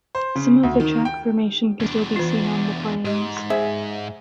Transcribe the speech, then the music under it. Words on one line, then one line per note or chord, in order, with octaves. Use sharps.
Some of the track formation can still be seen on The Plains.
C5
C#3
D2
D#3
G5
E2 D4
E3 F4
G#2 G4 D#5
G#4 C5 E5